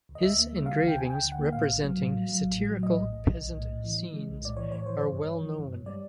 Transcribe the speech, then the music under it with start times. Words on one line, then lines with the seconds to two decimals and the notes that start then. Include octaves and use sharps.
His engravings representing satirical peasant scenes are well known.
0.09 D2
0.15 D#5
0.23 D2 E5
0.38 A#3
0.52 G3
0.66 D3 F5
0.78 D2 F5
0.88 G5
0.96 D2 G#5
1.09 D2 G5
1.25 D3
1.32 F#5
1.38 A#3
1.53 A2 F5
1.68 A1
1.82 F#3
1.96 A2
2.11 F#3
2.26 F#3
2.40 A1
2.54 A2
2.68 F#3
2.83 A2 D#5
2.97 A1
3.13 A1
3.27 B1
3.41 B1
3.56 A2
3.69 A2
3.84 E3
3.98 E3
4.13 G#3
4.28 B1
4.43 A2 D5
4.57 E3 C#5
4.72 A2 C#5
4.86 E3 C5
5.00 G2 C#5
5.15 G2
5.29 E3
5.43 E3
5.58 G2
5.73 G2
5.86 G3 D5